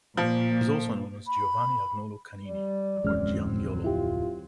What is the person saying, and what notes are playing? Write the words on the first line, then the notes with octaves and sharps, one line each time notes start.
He is also known as "Giovanni Agnolo Canini" or "Giannangiolo".
A#2 F3
B5
G3 D5
D1 F2 E3 F#3 G#3 C4 C#4 F6
E4 F4 G4